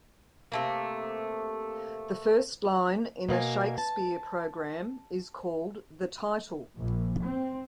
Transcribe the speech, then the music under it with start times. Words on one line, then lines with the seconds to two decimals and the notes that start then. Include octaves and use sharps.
The first line in a Shakespeare program is called the 'title'.
0.52 C3 A3 A#3
3.29 B2 A#3 D#5 G#5
3.78 A5
6.78 A#1
7.23 C4